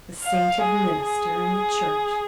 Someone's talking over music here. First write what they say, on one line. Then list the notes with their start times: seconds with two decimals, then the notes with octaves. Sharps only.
The sainted minister in the church!
0.22 F5
0.60 G#4
1.03 G#4